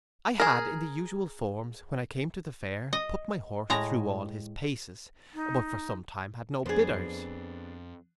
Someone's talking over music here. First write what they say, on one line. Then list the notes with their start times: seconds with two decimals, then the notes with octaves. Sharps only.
I had, in the usual forms, when I came to the fair, put my horse through all his paces; but for some time had no bidders.
0.40 G#4 A#4
2.93 D#5
3.70 A2 G#3 A#5
5.34 D#4
6.66 F2 B3 D4 G#4 C5